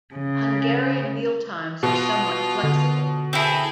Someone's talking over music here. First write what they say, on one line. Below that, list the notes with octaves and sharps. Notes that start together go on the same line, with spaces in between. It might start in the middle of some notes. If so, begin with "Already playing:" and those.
Hungarian meal times are somewhat flexible.
C#3
B2 F4
D3
C4 E4 G#4 A4